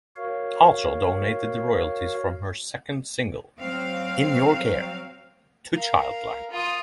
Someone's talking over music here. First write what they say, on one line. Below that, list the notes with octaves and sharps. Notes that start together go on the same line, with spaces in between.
Archer donated the royalties from her second single "In Your Care" to Childline.
F#4 A#4 C#5 F5
F#3 C4 F5
A#4 F5
F4 D#6